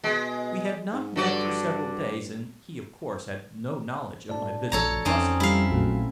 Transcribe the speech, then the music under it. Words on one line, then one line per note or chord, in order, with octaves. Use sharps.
We had not met for several days, and he, of course, had no knowledge of my visit to Brussels.
B2 G#3
G#2
G2 D3 F#4 D5
D2 A2 D5 A5
A#1 A4 C#5 A#5
F2 C4 C#4 D#4
G3 E4 F5
A#1 A#2 F#3 A3